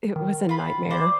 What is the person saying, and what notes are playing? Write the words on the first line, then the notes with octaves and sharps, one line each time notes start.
it was a nightmare.
D#3
F4 B5
C5 D5